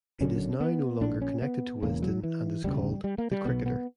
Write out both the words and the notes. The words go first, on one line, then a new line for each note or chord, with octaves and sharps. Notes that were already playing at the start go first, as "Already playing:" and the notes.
It is now no longer connected to Wisden and is called "The Cricketer".
F#1 F#2 D3 C#4
B3
A#1 A#2 D4
C#4
B3
E1 E2 C#3 A#3
F#3
E3
E1 D2 C#3 G3
G3
A#3
G3
B1 B2 B3
B3